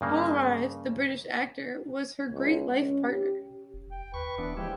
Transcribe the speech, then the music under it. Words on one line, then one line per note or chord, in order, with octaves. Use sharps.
Paul Rhys, the British actor was her great life partner.
G2 C#3 A#3
C#2
C#4
G4
F1
G5
D#2 B4 C#6
D#1 E3 B3 D4
F3 G#3 E4 G4